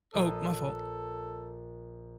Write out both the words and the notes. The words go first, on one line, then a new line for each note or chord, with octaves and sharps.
Oh, my fault.
A#1 A4 D#6